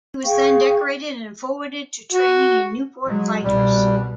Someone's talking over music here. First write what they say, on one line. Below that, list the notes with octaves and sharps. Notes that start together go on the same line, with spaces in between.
He was then decorated and forwarded to training in Nieuport fighters.
G#4 F5 G5 C#6
F#4
F#3 G#3
C2 B2 G3